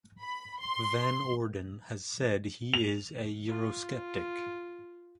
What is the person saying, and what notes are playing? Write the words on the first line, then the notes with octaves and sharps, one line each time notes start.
Van Orden has said he is a eurosceptic.
B5
C6
F7
F4